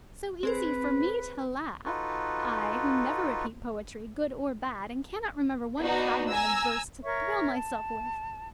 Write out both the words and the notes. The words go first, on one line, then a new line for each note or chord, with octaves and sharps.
So easy for me to laugh--I, who never repeat poetry, good or bad, and cannot remember one fragment of verse to thrill myself with.
C4 G#4 B4 C5
D#4 F4 F#4 A4 B4
B3 D4 D#4 F#4
G#5 A#5 E6
A#4 C#5 E5 C#6
A5